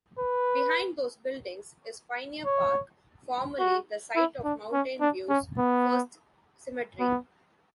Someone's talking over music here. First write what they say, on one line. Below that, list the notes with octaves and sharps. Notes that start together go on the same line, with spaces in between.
Behind those buildings is Pioneer Park, formerly the site of Mountain View's first cemetery.
B4
C#5
F#4
E4
D4
C#4
D4
C#4
B3
B3